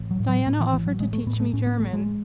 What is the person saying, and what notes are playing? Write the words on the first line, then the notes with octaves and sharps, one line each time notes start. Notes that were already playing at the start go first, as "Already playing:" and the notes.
Diana offered to teach me German.
Already playing: A1
F#3
A2
F#3
A2 B3
E3
A1 E3
F#3
A1 G#3
A3
A2 B3
A3
A2 C#4
B3
A1 A3
G#3